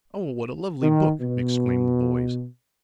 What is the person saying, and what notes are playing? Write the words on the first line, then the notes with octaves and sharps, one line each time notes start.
"Oh, what a lovely book!" exclaimed the boys.
D#3
B2